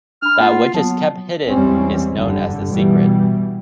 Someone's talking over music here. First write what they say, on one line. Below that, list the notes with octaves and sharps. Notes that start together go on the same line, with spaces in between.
That which is kept hidden is known as the secret.
D4 B5 F6
A#3 F4 F#5
F#3 B3 A5
E2 E3 G3 G#3 C4 C#4
F#1 G2 D3 G3
B2 E3 G3